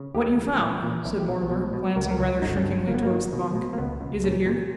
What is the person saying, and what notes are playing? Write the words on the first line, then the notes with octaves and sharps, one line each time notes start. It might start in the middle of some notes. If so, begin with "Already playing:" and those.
What you found,' said Mortimer, glancing rather shrinkingly towards the bunk; 'is it here?'
Already playing: C#3
D#2 G4
E3
A#2
A#2
B1 E4
G4
B1
B2
B2
C#2 A#4
A#4
C#2
G1 D#4
C#4
G2
G1 A#3
B3
A#3
D#3
B2
B2
A#3
C#2 B3
C#2
A#2 C#4
A#2